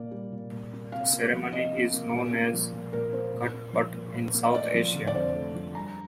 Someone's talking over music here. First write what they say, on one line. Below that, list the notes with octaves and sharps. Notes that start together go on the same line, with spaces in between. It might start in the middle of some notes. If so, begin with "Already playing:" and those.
The ceremony is known as "ghat-pat" in South Asia.
Already playing: A#2 A#3 D5
G3
A#2
A#2
A#3
C3 F5
A#3
F3
C3 D#5
C3
A#3
A#2
A#3
F3
A#2
A#2 A#4
A#3 C5
A#2
A#3
F3
A#2
A#2
A#3
D#5
A3 D5
F3
D3
D5
F2 C5
A3
F3
G2 A#5